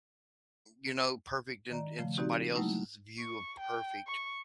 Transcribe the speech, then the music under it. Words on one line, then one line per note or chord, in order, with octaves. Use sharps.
you know, perfect in in somebody else's view of perfect,
D#3 D5 A#5
C#3 F3 A3
C4 D#4 F#4 G4 D5
F#3 G3 A3 A#3 D#4 E4
C#6
G5
C#6